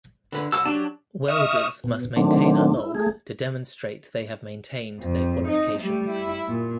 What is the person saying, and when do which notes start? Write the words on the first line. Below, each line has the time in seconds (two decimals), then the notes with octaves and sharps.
Welders must maintain a log to demonstrate they have maintained their Qualifications.
0.32 D3 B4
0.52 C2 F#4 A5 E6
0.66 F#3 D4 G4 A5
1.28 D#5 E5 C#6 D#6 F6
1.84 B2
2.16 D#3 F#3 A3 C4 D4
2.77 E4
2.95 A3 G#4
4.99 F2
5.48 D#4
5.79 G3 A3
6.09 E4
6.48 A#2